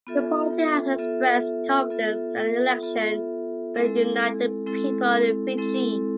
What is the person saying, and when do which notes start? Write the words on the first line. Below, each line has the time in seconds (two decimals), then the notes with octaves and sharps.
The party has expressed confidence that the election will unite the people of Fiji.
0.07 B3 F4 A4 E5
0.98 B3 F4 A4 E5
1.90 B3 F4 A4 E5
2.83 B3 F4 A4 E5
3.74 G#3 C4 E4 A4
4.66 G#3 C4 E4 A4
5.58 G#3 C4 E4 A4